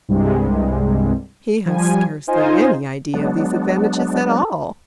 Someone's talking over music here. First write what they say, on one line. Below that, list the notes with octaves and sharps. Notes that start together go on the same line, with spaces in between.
He has scarcely any idea of these advantages at all.
C2 G2 C3 G3 G#3
F3 G3 G#5
D#4 F4 C5 D#5 G#5
F#3 G#3 B3 D4